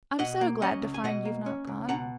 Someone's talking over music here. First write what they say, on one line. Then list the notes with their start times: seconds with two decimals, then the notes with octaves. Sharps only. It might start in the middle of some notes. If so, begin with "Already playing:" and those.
"I'm so glad to find you've not gone."
0.19 B2 D#5 F#5
0.41 A#3
0.62 C#4 D#5 F#5
0.83 C#2
0.94 G#5
1.04 B2 D#5 F#5
1.25 A#3
1.46 C#4
1.67 C#2
1.89 B2 F#5 A#5